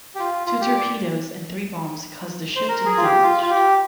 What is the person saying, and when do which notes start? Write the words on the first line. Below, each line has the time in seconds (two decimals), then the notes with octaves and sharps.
Two torpedoes and three bombs caused the ship to be damaged.
0.15 G4
0.20 F4
0.47 F4
0.61 G4
0.75 D5
2.56 C5
2.68 A#4
2.86 G#4
2.98 F4
3.04 G4
3.23 F4
3.42 F4
3.50 G4